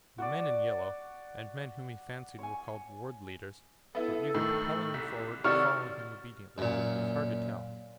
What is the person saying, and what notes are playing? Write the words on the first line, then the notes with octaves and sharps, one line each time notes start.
The men in yellow, and men whom he fancied were called Ward Leaders, were either propelling him forward or following him obediently; it was hard to tell.
F#4 D5
C#5 G#5
B3 E4 A4
A2 D#3
C2 B6
C3 D#3 F#4 A4 C#5 D5 F6
F#2 A#2